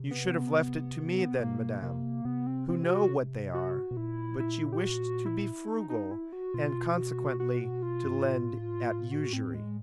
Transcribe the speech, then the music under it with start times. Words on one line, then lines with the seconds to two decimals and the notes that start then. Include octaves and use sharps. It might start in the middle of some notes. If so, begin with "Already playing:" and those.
"You should have left it to me, then, madame, who know what they are; but you wished to be frugal, and consequently to lend at usury."
Already playing: C3
0.11 B3
1.40 B2 A#3
1.82 C3 A#3
2.25 C3 B3
2.47 C4
2.68 C4
2.84 G4
2.90 F#4
3.54 F#4
3.91 B2
3.97 A#2 E4
4.40 E4
4.73 G4
4.83 F#4
5.26 E4
5.68 D#4
5.90 D#4
6.11 E4
6.33 F#4
6.54 B2 F4
6.97 F#4
7.40 F#4
7.82 F4
8.05 G2
8.15 G#2
8.26 A2
9.11 F#4
9.33 C4
9.54 G#3